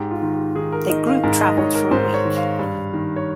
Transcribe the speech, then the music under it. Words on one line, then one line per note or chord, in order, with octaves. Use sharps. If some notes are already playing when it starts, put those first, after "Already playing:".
They group traveled for a week.
Already playing: G#2 G4
F4
D#3
G4
D#3 G#4
A#4
D#3 D#5
F5
G#2 A#4
D#5
G#2 C#5
A#4
G#2 C5
C#5
D#3
F5
G2
D#3
C#5